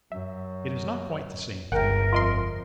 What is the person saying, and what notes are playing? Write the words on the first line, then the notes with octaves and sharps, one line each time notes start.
It is not quite the same thing.
F#2 E5
G1 C#2 G2 A#4 E5 F#5 G5
F2 F4 D#5 C6